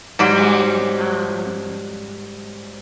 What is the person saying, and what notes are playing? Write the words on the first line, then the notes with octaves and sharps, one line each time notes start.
And um,
G#2 F#3 G3